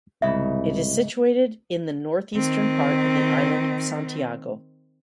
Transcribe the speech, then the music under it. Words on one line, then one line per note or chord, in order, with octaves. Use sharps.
It is situated in the northeastern part of the island of Santiago.
C2 G#2 C#3 E5 B5
D#3 C4